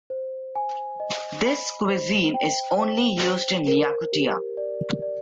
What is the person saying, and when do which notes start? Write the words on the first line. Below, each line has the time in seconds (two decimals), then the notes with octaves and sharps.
This cuisine is only used in Yakutia.
0.10 C5
0.55 G#5
1.00 D#5
1.45 B5
1.90 C5
2.34 G5
2.78 C5
3.23 C5
3.67 A#4
4.13 G4
4.57 D5
5.02 D5